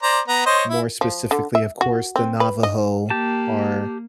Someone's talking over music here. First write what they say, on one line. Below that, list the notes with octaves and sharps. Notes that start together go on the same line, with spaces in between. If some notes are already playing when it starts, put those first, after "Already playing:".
more specifically, of course, the Navajo are,
C5 D5 A#5
B3 A#5
C5 C#5 D#5
E4
F3
D3
E5
F#4
C4
B4
D#5
A#3 G4 A5